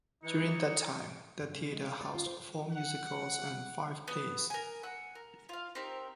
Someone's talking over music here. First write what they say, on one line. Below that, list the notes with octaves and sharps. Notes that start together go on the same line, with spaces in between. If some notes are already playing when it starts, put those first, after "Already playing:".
During that time, the theater housed four musicals and five plays.
E3 D#4 C#7
G2
C#3
G#3
F5
D5
F4
C5
F#5
B3
A#4 G#5
F#5 G#5 E6
A#4
F4 F5
C4 D#4 G4 A#4